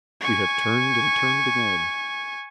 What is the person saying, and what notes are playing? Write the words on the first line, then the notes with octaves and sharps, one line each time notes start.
"We have turned and turned again."
G#5 C#6